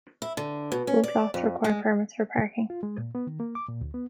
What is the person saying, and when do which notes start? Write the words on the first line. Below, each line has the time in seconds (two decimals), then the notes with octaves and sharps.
Both lots require permits for parking.
0.22 E4
0.37 D3
0.72 B2
0.87 C#4
1.04 D5
1.34 F2
1.64 G#3
2.70 F4
2.83 G#3
2.98 A#2
3.15 B3
3.27 D#3
3.40 A#3
3.55 D6
3.68 A#2
3.81 D2
3.94 B3